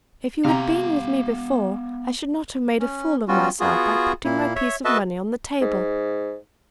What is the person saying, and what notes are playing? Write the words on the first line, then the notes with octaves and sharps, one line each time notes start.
If you had been with me before, I should not have made a fool of myself by putting my piece of money on the table.
C3 B3 F5 A#5
C#4
G3 B3 C#4 F4 F#4
B3 F4 F#4 G#4
A#2 A#3 E4
C#5 E5
F#4 A4 B4 D#5 E5 A5
G#2